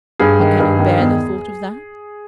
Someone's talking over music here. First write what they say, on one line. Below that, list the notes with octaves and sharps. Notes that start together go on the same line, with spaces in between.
But can you bear the thought of that?'
G2 G#4
D#3
G2
D#3
E2